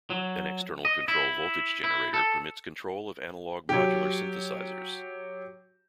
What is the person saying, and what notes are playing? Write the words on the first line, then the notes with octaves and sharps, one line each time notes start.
An external control voltage generator permits control of analog modular synthesizers.
F#3
D#5
E4
E4
A4
F#3 G4